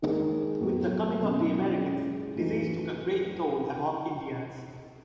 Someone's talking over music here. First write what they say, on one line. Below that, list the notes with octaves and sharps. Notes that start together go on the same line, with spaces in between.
With the coming of the Americans, disease took a great toll among Indians.
D#3 G#3 D#4 G#4
A2 F#3 B3 F#4
B2 F#3 C#4
G#3 C#4 E4
A2 E3 A3 D#4 F#4